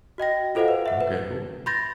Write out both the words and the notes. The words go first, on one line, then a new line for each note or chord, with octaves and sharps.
Okay, cool.
F#4 D#5 G5 A#6
F4 A4 C5 D#5 F5 F#5
B4
E5 F#5
B4
B5 C6 G6 A6 A#6